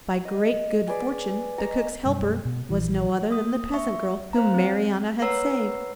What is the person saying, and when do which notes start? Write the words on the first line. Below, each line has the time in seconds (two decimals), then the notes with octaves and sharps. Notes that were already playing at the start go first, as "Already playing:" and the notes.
By great good fortune, the cook's helper was no other than the peasant girl whom Marianna had saved.
0.25 D#5
0.88 G#4 B4 D5
1.58 D#5 A#5 C#6
2.05 F#2 B2 G3
2.45 B2
2.70 A#1 E3
3.31 A#3 D#6
3.74 E5 C#6
4.33 C5 F5 A#5
4.54 C4
5.22 B4 C#5 F#5 A#5 E6 C7